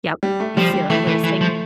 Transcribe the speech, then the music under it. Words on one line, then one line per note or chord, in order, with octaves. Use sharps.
Yep. You feel it racing?
G3
A3
F3 G3
G3
E3 A3
E3
E3
F3